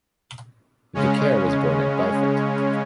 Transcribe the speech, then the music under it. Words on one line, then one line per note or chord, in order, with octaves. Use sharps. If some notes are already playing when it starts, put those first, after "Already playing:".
Vicaire was born at Belfort.
C#3 G#3 C#4